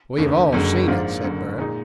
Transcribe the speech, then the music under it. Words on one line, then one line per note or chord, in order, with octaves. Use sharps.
"We've all seen it," said Bert.
F1 D#2 D3
F#1 F#2 D3 G#3
G#2 F3 A#3 D4 F4
F#1 F#2 D3
A#2 G#3 D#4